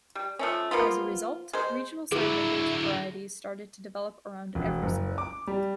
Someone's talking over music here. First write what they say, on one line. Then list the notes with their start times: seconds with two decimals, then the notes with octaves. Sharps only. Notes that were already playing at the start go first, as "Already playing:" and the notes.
As a result, regional sign language varieties started to develop around every school.
0.15 G3
0.39 F3 A3 C#4
0.71 F3 A#3 B3 F4
1.53 G#3 C5
2.12 D3 F#3 E4 G#4
4.55 E1
4.83 F#1
5.18 D6
5.47 G3